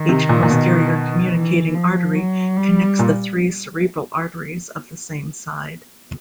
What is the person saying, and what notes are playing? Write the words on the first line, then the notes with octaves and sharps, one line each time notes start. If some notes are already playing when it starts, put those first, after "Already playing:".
Each posterior communicating artery connects the three cerebral arteries of the same side.
Already playing: D#3
C3
A#2
A#2
B2
E3
F3
F#3
G3
A#2